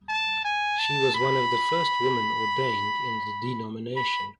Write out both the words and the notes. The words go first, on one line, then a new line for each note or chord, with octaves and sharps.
She was one of the first women ordained in the denomination.
A5
G#5
A5
B5
B5